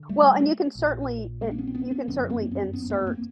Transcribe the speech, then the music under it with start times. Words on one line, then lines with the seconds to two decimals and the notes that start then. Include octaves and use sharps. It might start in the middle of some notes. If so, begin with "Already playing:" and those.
Well, and you can certainly i you can certainly insert
Already playing: D3
0.09 G3 A3
0.75 A#1 A#2
1.41 G#3 A#3
1.51 D4
1.58 B3 C#4
1.67 C4
1.75 B3 C#4
1.91 B3 C#4
2.08 G1 F#2 D3 B3 C#4
2.30 A#3 C4
2.51 B3 C#4
2.73 B3 C#4
2.90 A3 B3
3.07 A#3 C4